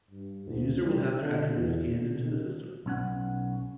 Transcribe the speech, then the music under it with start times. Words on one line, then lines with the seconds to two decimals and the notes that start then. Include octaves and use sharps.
The user will have their attribute scanned into the system.
0.11 G2
0.46 D2
0.83 G3
1.21 D3
1.53 E2
1.91 D3
2.23 D#3
2.86 B1 C#4 F#5